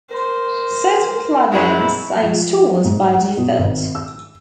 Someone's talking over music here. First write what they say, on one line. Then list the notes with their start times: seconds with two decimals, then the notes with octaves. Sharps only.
Certain plug-ins are installed by default.
0.11 A#4 C5
1.52 F#2 F#3 G#3 E4
2.22 F3
2.84 G#2
3.15 F#5
3.37 B2
3.59 G#1
3.95 E6